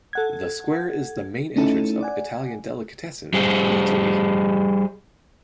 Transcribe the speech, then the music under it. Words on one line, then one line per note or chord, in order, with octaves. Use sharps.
The square is the main entrance of Italian delicatessen Eataly.
A4 F#5 G#6
A3 C#4 D#4 E4 A4
D5 F#5 G#5
G3 G4 G#4 C5